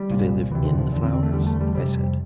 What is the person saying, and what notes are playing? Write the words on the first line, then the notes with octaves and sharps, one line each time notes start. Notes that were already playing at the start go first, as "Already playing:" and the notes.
"Do they live IN the flowers?" I said.
Already playing: G3
C2 A#2
D2 C3 E3
D3
F3
E2 D3
C4
C4
A3
E2 D3 G3
A3
G3
F2 C3 G3